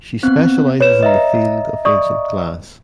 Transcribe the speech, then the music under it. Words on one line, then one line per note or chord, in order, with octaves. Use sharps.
She specializes in the field of ancient glass.
B3 C4 F#6
B4 C#5 E7
D#5 E5 A#5
D5 C#6 D#6